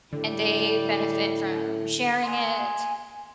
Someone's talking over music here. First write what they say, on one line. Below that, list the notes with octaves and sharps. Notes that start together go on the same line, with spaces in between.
and they benefit from sharing it.
A2 D3 G3
G#5 C6